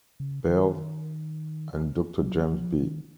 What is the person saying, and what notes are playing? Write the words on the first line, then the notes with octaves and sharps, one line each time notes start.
Bell, and Doctor JamesB.
C#3
D#3
F#3
F3
D#3